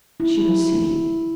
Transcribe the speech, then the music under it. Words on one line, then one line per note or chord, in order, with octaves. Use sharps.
She would see.
E4